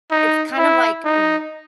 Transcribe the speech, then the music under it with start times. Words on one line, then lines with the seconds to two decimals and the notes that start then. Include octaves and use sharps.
it's kind of like, m
0.11 D#4
0.58 E4
1.05 D#4